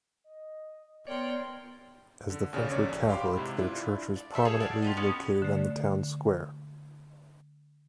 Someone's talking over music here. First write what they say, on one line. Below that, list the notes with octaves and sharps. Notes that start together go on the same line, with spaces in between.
As the French were Catholic, their church was prominently located on the town square.
D#5
B3 A#4 C#5 D5 G5 C6
D3
D#2 C#3 C#4 D5
A#1 C#5 D5
G4 F5 G5 B5 C6 D6
G#2 C3 E4
D4 E4 F4
D5
A4 C5 E5 A5
G#4 C#5 A5
D5 F5 F#5
F4 G4 D#5
B3 C#4 F#4 A5
D3 A3